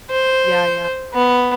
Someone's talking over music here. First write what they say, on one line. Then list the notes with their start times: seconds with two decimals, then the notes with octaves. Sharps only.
Yeah, yeah.
0.11 C5
1.14 B3